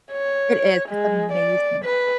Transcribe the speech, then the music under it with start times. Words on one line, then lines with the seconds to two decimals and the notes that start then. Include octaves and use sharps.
It is, it's amazing.
0.12 C#5
0.89 G#3
1.32 D5
1.84 B4